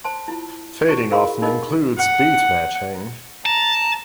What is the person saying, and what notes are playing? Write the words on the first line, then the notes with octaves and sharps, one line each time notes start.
Fading often includes beatmatching.
C5 A5 C6
E4 F4
E4 F#4 C5 C#6
G#4 A#4 F5 B5 C6
D4 D#4 A#4 D#5 B5 D6
F#5
A5 A#5